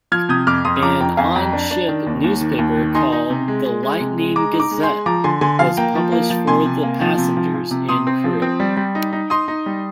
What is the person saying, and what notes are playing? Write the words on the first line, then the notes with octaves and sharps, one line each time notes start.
An on-ship newspaper called the "Lightning Gazette" was published for the passengers and crew.
F3 F6 G#6
C3 D#6 G6
F2 D6 F6
F2 C6 D#6
D#6
F3 A#5 D6
F2 G5 A#5
F2 F5 G#5
F2 G5 A#5
D4
D4
D#3
D#2
D#2
D#3
D#2
D#3
D#4 G#5 C6
D#4
C3
G#3
G#3
G#3
C3
G#3
G#3 A#5 D6
D#4
A#5 D6
G#3
G#5 C6
G#3
F3 A#5 D6
D3 G#5 C6
D3 G#5 C6
F3 F5 G#5
A#3 G5 A#5
F3
A#3
F3
C3 G#5 C6
C3
A#3
F3
C3
F3
F3
C3
C3 C6 D#6
C4
F3
C4
G3
G3
D#4
D#4
D#4 C6 D#6
D#4
G3